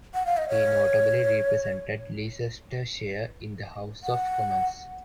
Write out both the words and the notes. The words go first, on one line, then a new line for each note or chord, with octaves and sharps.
He notably represented Leicestershire in the House of Commons.
F#5
F5
D#5
C#5
F#5